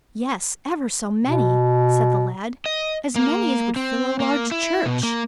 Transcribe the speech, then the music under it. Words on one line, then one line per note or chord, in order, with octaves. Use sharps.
"Yes, ever so many," said the lad, "as many as would fill a large church."
B2
D#5
A#3
C4
A#3
E4
B2
A#3